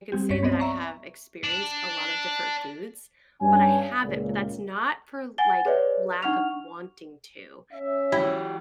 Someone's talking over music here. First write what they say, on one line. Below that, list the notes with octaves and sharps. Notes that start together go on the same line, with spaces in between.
I could say that I have experienced a lot of different foods, but I haven't, but that's not for, like, lack of wanting to,
G3 C4 G4
C2 G2 C#4 C#5 B6
B3 C4 D5 D#5
E5 A#5 C#6
D4
G2 C#4 G#5
C#2 A#2
F#5 G#5 A6 G7
G#4 B4 C#5 D5 E5
D4 D#4 F#5 C#6 F6 F7
C#4 E5
F#3 E4 G4